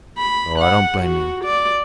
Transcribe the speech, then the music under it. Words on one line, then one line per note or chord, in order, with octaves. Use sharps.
Well, I don't blame you.
B5
F#5
F#4
D5